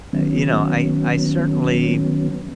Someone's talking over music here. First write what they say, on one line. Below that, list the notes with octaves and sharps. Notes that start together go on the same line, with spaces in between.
you know, I I certainly
D#3 F#3 B3 C#4